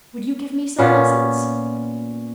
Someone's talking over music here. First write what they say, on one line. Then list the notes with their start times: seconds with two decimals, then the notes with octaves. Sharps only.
Would you give me some lessons?'
0.78 A#2 B3 C#4 F4